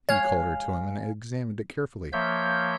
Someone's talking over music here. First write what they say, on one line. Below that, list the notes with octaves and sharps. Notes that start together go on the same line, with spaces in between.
He called her to him and examined it carefully.
G#3 C#5 F5
F3 A#3 C#5 E5 E6 G6